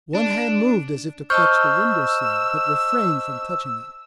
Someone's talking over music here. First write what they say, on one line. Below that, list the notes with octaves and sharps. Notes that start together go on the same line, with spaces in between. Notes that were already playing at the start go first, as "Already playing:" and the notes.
One hand moved as if to clutch the window sill, but refrained from touching it.
D4
C5 D#5 A5 C#6 E6 F6 G6